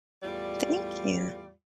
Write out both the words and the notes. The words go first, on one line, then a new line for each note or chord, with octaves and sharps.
Thank you.
E2 A2 G3 F4 D5